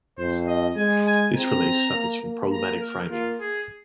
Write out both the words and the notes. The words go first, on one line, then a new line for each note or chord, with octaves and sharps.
This release suffers from problematic framing.
F2 C5
D#5
G#3 G#5
G#5
C4 A#5
A#3
A#3
A#5
A#4
A#3 F4
G#4